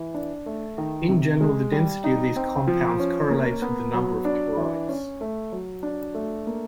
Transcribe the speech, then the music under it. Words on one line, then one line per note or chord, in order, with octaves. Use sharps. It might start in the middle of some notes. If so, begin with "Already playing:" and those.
In general the density of these compounds correlates with the number of chlorides.
Already playing: E3
D4
A3
D#3
C3
G#3
G3
D#4
C4
F3
C#4
A#3
B3
F#3
D4
E3
C#4
A3
F#3
D4
A3
A#3